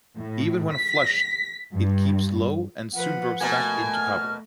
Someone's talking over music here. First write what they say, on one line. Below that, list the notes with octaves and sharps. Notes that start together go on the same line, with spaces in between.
Even when flushed, it keeps low and soon drops back into cover.
A2
B6
G2
F3 B4 F#5
B2 A3 A#3 G#5
F6